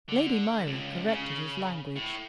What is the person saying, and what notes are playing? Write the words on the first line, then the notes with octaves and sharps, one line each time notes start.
Lady Myrie corrected his language.
D3
C#2
C#3
A2